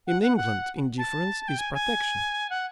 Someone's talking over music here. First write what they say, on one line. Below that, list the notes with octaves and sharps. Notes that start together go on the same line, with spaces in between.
In England, indifference is protection.
F#5
F#5
F#5
A5
G5
G#5
G#5
F#5